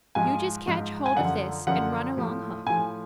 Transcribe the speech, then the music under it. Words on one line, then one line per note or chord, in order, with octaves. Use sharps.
You just catch hold of this and run along home.
G#2 F3 G#5
G#2 F3
G#5
F#2 D3 F3 F#5
F#2 D3 F3 F#5
A2 F3
A2 F3 G#5